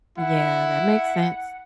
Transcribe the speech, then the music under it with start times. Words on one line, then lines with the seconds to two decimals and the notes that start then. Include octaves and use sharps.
Yeah, that makes sense.
0.18 E4 F#5